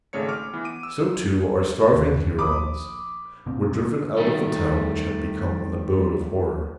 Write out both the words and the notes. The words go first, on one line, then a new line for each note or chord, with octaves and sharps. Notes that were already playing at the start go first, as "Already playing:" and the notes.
So, too, our starving Hurons were driven out of a town which had become an abode of horror.
G#1 C#3 A3 C#5 C#7
D6 F6
E3 B3
D6 D7 D#7
E6
D#2
A#1 B5 D6 D#6
B2 A#3 C4
D#3 G3 A3